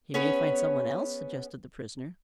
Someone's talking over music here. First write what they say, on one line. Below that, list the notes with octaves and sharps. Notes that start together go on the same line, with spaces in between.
"He may find some one else," suggested the prisoner.
B3 C#4 G#4 B4 C#5